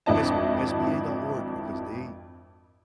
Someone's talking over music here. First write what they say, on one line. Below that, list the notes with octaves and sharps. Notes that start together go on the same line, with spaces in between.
s sba.org because they
G#1 F2 D4 E4 D#5 A5